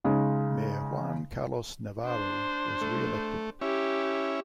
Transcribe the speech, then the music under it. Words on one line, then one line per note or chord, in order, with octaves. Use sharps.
Mayor Juan Carlos Navarro was re-elected.
C#3 G#3 D#4
D4 C5
A3
C#4 E4 G4